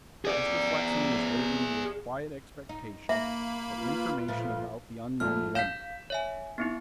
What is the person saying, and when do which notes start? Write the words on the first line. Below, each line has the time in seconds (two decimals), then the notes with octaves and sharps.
Mr. Flexen was waiting with quiet expectation for information about the unknown woman.
0.25 G#4 D5
2.69 D#4
3.09 A#3 E5 B5
3.78 F4 B4
4.28 A#2 F3 A3
5.20 F2 G#2 A3 F6
5.55 F5 G6 B6 E7
6.10 C#5 E5 G#5
6.58 B3 C4 D#4 E4